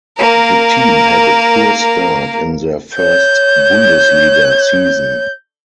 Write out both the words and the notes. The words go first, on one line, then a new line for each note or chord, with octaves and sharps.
The team had a poor start in their first Bundesliga season.
A#3 A#4
C#5 G6